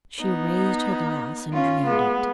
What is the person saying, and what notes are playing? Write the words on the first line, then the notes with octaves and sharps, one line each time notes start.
She raised her glass and drained it.
B3 D#4
C#4 F4
G#3 B3